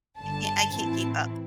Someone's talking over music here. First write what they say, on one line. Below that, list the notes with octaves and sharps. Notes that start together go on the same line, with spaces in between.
ca I can't keep up.
G1 G2 D3 A5
A2 E3 C4 E4